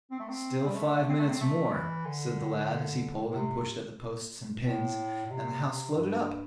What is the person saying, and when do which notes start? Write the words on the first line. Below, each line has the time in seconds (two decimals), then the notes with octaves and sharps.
'Still five minutes more', said the lad, as he pulled and pushed at the posts and pins, and the house floated up.
0.11 C4
0.20 A3
0.29 C4
0.66 G3
0.76 A3
1.09 C4
1.19 A3
1.29 C4
1.41 A3
1.73 E3
2.05 D3
3.31 A2
3.36 C3
4.65 A2
5.26 A2
5.30 C3
5.62 C3
5.95 G2